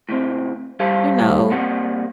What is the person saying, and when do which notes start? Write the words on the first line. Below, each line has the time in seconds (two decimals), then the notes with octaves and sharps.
you know,
0.09 A2 C#3 C4
0.80 C2 G3 G4 A4 C5 F5
1.50 A#2 G3 A#3 C4 F#5